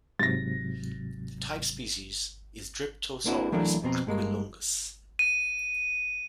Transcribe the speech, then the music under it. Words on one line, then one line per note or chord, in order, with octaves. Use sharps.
The type species is "Dryptosaurus aquilunguis".
G#2 C3 F#3 A6 A#6
A#3 C4 D4 E4 F#4
E3 F#3 A3 A#3 D4 E4
F2 B2 C4 A#5
G2 G#3 A#3
D#7